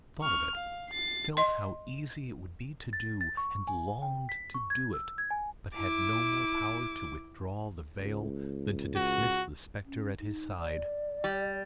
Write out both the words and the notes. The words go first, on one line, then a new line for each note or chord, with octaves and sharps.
He thought of it, felt how easy it would be to do, and longed to do it; but had no more power to withdraw the veil than to dismiss the spectre at his side.
C#6 F6
F5
A6 C7
D#5 C6
A6
A6
C#6
G#5
G5
B6
C#6
G#6
E6
G#6
G#5
E4 D6
C#2
F#4
C#4
D#4
D5
G3